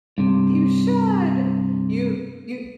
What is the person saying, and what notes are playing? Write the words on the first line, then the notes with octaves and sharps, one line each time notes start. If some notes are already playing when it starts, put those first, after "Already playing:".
you should! you you
G2 C3